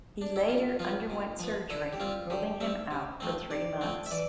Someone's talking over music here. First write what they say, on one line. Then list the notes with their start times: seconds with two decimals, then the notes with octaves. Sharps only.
He later underwent surgery, ruling him out for three months.
0.21 D4
0.36 E4
0.49 C3 F4
0.79 F3 B3 F4
1.10 C3
1.39 F3 B3
1.70 D3 E4
1.93 G4
2.00 G3 C4 F4
2.30 D3 G4
2.60 G3 C4 E5
2.91 C3
3.20 F3 A3 C4
3.50 C3 D5
3.81 F3 A3 C4
4.06 E5
4.11 E3 D5